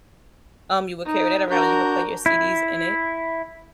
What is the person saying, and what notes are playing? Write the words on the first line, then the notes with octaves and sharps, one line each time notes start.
um, you would carry that around and you could play your CDs in it,
D#4
D4 F#4 A#4 G6
E4